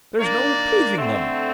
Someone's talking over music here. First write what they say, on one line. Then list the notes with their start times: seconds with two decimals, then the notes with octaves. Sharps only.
There's no pleasing them!'
0.19 D#3 A#3 D4 D5
0.98 D3 A3 C4